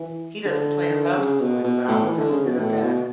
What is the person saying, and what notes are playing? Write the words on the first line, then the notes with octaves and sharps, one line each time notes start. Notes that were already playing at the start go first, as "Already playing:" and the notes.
he doesn't play in love stories, but I would consider that
Already playing: E3
D3
C#3
B2
B2
A2
E3
D3
C#3
B2
A2
B2